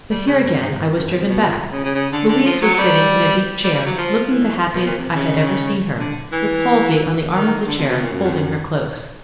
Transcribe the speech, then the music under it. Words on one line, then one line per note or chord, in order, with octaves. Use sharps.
But here again I was driven back. Louise was sitting in a deep chair, looking the happiest I had ever seen her, with Halsey on the arm of the chair, holding her close.
G3
C#3
G2
G#2
G#2
G2
F#2
G2
C3
B2
A#2
C#3
C#3
C#3
D3
D3
F3
F#3
F#3
G3
G3
G3
F#3
F3
E3
B2
A#2
C3
C#3
D3
E3
D#3
D3
C3
B2
A#2
F#2
F2
F#2